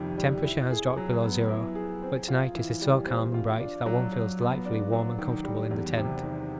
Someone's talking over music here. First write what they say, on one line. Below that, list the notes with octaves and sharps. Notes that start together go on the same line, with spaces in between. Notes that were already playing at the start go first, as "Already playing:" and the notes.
The temperature has dropped below zero, but to-night it is so calm and bright that one feels delightfully warm and comfortable in the tent.
Already playing: F2 C3 D#3 G3
G3
E4
G#4
F#3
B3
E4
G#4
C4
F4
E3
G3
C4
F4
D4
F#3
F#3
B3
D4
F#3
D#3
G3
E2
C3
D#3